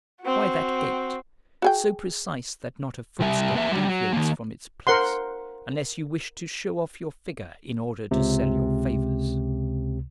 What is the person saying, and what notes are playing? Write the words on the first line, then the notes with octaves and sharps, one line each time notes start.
Why that gait, so precise that not a footstep deviates from its place, unless you wish to show off your figure in order to sell your favors?
C4 F#4
F#4 G#4 G5
C3 G3 E5
A#3 B4 E5
F#3 G3
F#3
D#3 A#3
A#4 C5 F#5 C6
C#2 C3